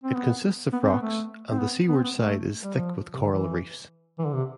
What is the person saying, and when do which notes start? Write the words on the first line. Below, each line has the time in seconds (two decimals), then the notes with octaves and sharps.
It consists of rocks, and the seaward side is thick with coral reefs.
0.04 C4
0.15 B3
0.73 B3
0.83 C4
0.93 B3
1.02 A3
1.51 C4
1.59 B3
1.88 B3
1.96 C4
2.04 B3
2.17 A3
2.63 G3
2.75 F3
3.14 C3
3.23 D3
3.32 E3
4.19 E3
4.26 D3
4.34 C3